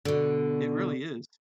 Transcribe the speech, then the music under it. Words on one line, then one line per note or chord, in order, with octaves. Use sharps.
It really is.
B2 D3